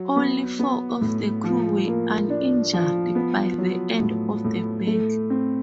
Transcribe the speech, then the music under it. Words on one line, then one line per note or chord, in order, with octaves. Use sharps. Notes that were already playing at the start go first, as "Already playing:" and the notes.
Only four of the crew were uninjured by the end of the battle.
Already playing: F#3
B3
B3
A2
F3
A#3
D4
F3
B3
F#3
A2
A2
A3
C4